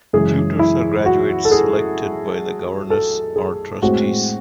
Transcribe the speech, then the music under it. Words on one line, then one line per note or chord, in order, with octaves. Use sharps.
Tutors are graduates selected by the governors or trustees.
F#2 C#3 E3 G#3 G#4
E4
F#4
A4
G#4
A4
G#4
A2 G#3 C4 F#4